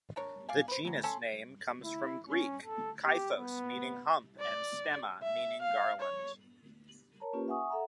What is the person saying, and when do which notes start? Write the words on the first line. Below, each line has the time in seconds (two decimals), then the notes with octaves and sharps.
The genus name comes from Greek "kyphos", meaning "hump", and "stemma", meaning "garland".
0.16 D4 A#4 C#5
0.49 D5 F5 G#5
0.68 B4 C5
0.85 E3 F#3
1.03 C#4 A4 C6
1.84 E4
2.28 C#4
2.66 A4
3.06 G4
3.37 B3
4.40 D5
5.23 E5
5.62 F5
6.00 C#5
7.20 A#4 C#5 A5 A#5
7.33 A#3 C#4 F4 G4 B4
7.48 E5 F#5 G#5 C#6 D#6
7.70 A4 E5 F#5 A#5